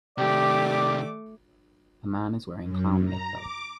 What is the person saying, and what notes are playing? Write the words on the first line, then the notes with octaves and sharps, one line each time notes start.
A man is wearing clown makeup.
C3 D#3 A3 G4 D5 D6
F#2
A#5
D6